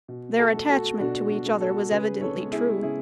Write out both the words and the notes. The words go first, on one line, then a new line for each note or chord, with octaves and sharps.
Their attachment to each other was evidently true.
B2
F#4 A4
A3
F#4 A4
B2 D4 F#4
D4 F#4
A3
F#4 A4
C#3 G#4 B4
A4 C#5
G#3 B3
E4 G#4
C#3 E4 G#4